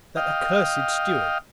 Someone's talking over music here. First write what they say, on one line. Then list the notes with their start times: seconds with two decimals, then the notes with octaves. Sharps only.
That accursed steward!
0.17 D#5 F5 G5